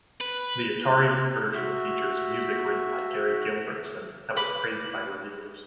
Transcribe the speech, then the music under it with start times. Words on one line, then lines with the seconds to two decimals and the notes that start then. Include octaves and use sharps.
The Atari version features music written by Gary Gilbertson that was praised by reviewers.
0.21 B4
1.53 F#4 E5
4.36 B4 B5 D6